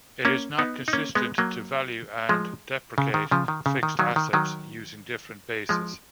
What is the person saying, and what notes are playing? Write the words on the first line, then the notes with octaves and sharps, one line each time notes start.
It is not consistent to value and depreciate fixed assets using different bases.
A#3 C#4
B3 D#4
D#4
A#3 C#4
G#3 B3
F#3 A#3
F3 G#3
C#3
D#3
C#3 F3
D#3
C#3
D#3
D#3 F#3
D#3
D#3 F#3
F3 G#3